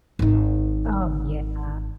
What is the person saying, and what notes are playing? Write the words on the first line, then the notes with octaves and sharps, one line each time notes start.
Oh, yeah.
G#1 D#3